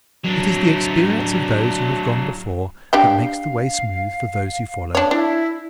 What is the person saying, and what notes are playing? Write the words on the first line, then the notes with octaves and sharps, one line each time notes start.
It is the experience of those who have gone before that makes the way smooth for those who follow.
F#3 D4
D4 G4 F5 G5
D4 C#5
D4 E4